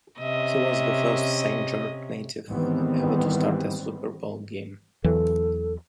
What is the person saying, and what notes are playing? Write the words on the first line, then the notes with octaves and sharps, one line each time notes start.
He was the first Saint George native ever to start a Super Bowl game.
C3 C#4 D#5 E5
G#2 D#3 E3 G3 B3 C4
E2 E3 F#3 A4